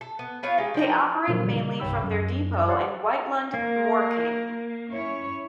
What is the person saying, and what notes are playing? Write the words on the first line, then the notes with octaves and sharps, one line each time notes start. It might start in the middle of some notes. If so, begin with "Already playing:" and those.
They operate mainly from their depot in White Lund, Morecambe.
A4
B3
B3 F4 C#5 F5
G#3 C#4 D#4 G4
F3 D5 G5 A#5
A#2 D3 D#3 F3 F#3 A#3
C#3 G3 D#4
G1 C2 C#5 G5 B5 E6
F#2
G4 C#5 D5 F5 F#5 A5
A#3 A#4
C#4 E4 C#5